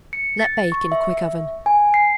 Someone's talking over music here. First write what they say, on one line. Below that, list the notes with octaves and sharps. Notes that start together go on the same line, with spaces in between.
Let bake in a quick oven.
C#7
A6
C#6
E5
G#5
C7